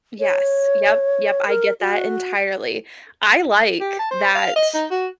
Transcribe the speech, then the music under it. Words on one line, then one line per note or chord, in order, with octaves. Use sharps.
Yes, yup, yup, I get that entirely. I like that
C#5
A#4
F#4
G4
A5
C5
F5
D#5
D#4
F#4